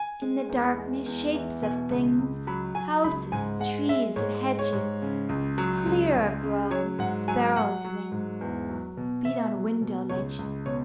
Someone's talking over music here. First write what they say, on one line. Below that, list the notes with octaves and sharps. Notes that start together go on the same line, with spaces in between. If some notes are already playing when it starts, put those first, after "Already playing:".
In the darkness shapes of things, Houses, trees and hedges, Clearer grow; and sparrow's wings Beat on window ledges.
Already playing: G#5
G#3
E2
G#3
E2
E3
B2 G#5
C#2
C#2
F#3 B5
F#3 G#5
C#2 B5
G#2 G#5
G#3 F#5
G#3 E5
G#2 C#5
G#3
C#5
G#2
C#3
C#2
F#3
C#2
C#2
C#3
F#3 C#5
G#2 F#5
F#3 G#5
F#3 F#5
F#3
G#2
E2
F#3
B2
B2 E5
F#3
B2
C#2 C#5
C#2
B2 C#5